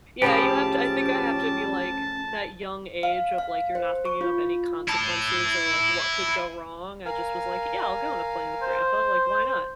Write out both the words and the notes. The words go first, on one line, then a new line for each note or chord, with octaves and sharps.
Yeah, you have to I think I have to be, like, that young age of, like, you're not thinking of any consequences, or, like, what could go wrong. I just was, like, "Yeah, I'll go on a plane with grandpa," like, "Why not?"
A2 F3 C#4 G4 G#4 A5
F5
F5
C5
C#6
F4
E4 A5
A#4 F5 G#5
C5